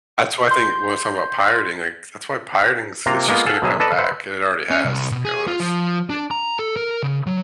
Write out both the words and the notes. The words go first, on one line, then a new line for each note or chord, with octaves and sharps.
That's what I think when I'm talking about pirating, like That's why pirating is it's just gonna come back and it already has to be honest, yeah.
C6 G6
C3 A#3 F4 A#5
G#3 A#3 B3 F4
A4 F5 F#5 G#5 A5
B2 F#3 G#4 E5
A4 B4 D5 D#5 A5
B4 C5 E5 F#5
C#4
C2
B2
G#4
F4
F3
D4
A#5
A4
A#4
C#3
F#3